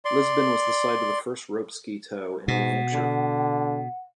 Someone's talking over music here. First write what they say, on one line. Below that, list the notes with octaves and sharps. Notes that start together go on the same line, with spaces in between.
Lisbon was the site of the first rope ski tow in New Hampshire.
D5 C6
G#2 B2 F#5
D3